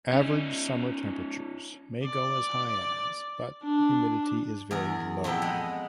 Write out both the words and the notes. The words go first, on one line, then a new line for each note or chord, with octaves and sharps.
Average summer temperatures may go as high as but humidity is very low.
C#4 D#4
D5
D4
E2 G#4 A#4
F2 A#2 B3 A4 G5
G#3 D#5 F#5